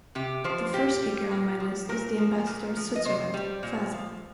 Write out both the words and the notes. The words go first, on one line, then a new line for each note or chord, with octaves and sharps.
The first speaker on my list is the Ambassador of Switzerland, Fasel.
C3 G4
F3 C5
A#2 G4
G3
A#2
F3
A#2 A#4
F3
A#2
F3
D#5
C3 C5
G3
A#2
F3